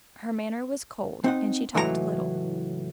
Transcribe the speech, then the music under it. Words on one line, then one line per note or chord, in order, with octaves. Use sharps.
Her manner was cold, and she talked little.
C4 D#4 F#5
C#2 A2 E3 F#3 A4 A#5